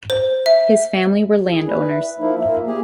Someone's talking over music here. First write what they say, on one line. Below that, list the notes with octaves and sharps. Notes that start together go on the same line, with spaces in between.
His family were landowners.
C5
E5
E4 G#4
B4 D5
E5
F3 A#3 D#4 E4
A#2 A#3 E5
A#3 G4 G#4